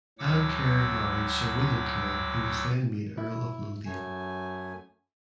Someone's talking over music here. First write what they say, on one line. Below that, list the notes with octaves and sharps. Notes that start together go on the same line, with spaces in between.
Anne Kerr married Sir William Kerr who was then made Earl of Lothian.
D2 A2 F#3 F#5 D6 E6
E4
F#2 A3 G#5